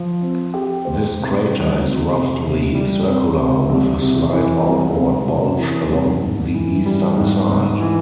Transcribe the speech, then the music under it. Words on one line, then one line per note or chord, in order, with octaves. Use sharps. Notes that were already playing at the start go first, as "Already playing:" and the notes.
This crater is roughly circular with a slight outward bulge along the eastern side.
Already playing: F3
C4
G4
C5
C3
G3
C4
C3
C3
G3
C4
C3
C2
C3
E3
C2
C2
C3
E3
C2
G#2
E3
G3
G#2
G#2
E3